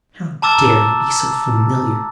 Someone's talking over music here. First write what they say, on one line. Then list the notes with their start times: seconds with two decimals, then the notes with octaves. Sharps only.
How dare you be so familiar!
0.42 A5 A#5 D6 E6 F6 A6